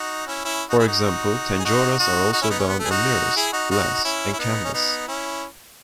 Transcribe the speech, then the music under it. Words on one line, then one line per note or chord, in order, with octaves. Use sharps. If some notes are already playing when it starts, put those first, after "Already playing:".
For example, tanjores are also done on mirrors, glass and canvas.
Already playing: D#4 F#4
C#4 E4
C#4 E4
D#4 F#4
E4 G#4
D#4 F#4
G#4
D#4 F#4
D#4 F#4
D#4 F#4
C#4 E4
B3 D#4
C#4
B3
A3
G#4
D#4 F#4
E4 G#4
D#4 F#4
D#4 F#4
D#4
C#4 E4
E4
B3 D#4
C#4
B3 D#4
C#4 E4